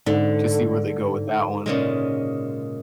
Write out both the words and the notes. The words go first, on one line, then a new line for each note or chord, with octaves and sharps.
to see where they go with that one.
G#2 D3
A#2 C#3 G#3